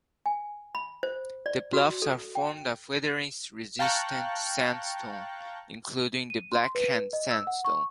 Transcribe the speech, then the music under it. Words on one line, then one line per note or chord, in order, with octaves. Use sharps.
The bluffs are formed of weathering-resistant sandstone, including the blackhand sandstone.
G#5
B5
C5
D5
F#4
A4
G5
F5 G5 A5 A#5 C#6 F#6
D#7
C6
B4
D#5
E6
F#5
C#6